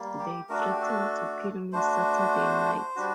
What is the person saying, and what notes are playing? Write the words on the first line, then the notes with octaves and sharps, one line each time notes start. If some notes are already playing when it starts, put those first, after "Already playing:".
They threatened to kill me Saturday night.
Already playing: G3 A#3
G4
A3 D4 F#4 A#4
A4
G4
A4
A3 D4 F#4 C5
G3 D4 F#4